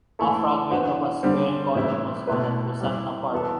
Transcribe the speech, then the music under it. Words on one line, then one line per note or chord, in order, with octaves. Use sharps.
A fragment of a square column was found at Fuensanta park.
E3 A3 E4 A4
G2 E3 B3 F#4 C5
D3 G3 C4
A2 E3 G3 C4 E4
B2 A3 E4 B4
G3 C4 E4
E3 B3 F#4 A4